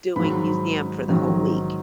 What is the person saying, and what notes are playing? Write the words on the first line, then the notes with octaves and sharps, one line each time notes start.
doing museum for the whole week.
G#2 D#3 F#3 B5
G#2 D#3 F#3